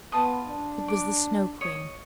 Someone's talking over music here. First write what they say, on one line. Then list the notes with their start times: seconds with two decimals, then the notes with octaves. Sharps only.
It was the Snow Queen.
0.12 B3 F4 A5 D#6
0.46 D4
0.88 D6
1.61 C#5 D#5